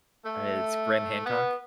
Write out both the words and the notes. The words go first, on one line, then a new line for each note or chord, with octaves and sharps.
Uh, it's Graham Hancock?
A3
B3